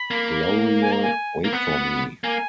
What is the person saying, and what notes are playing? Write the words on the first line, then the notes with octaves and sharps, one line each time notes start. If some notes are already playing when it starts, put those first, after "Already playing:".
Gloria, wait for me!
Already playing: B5
A#3
G#5
A#5
G#5
A#3
B3 F#5
A#3 G#5